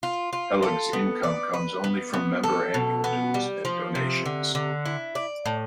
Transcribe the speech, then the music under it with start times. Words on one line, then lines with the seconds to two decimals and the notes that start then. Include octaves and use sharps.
Hellug's income comes only from member annual dues and donations.
0.03 F4
0.33 F4
0.63 A4
0.93 B3
1.23 D5
1.54 B4
1.84 B3
2.13 B3
2.44 A4
2.74 B2
3.04 B3
3.34 G3
3.65 F3
3.95 C3
4.26 D3
4.55 D3
4.85 E4
5.15 D5
5.46 A2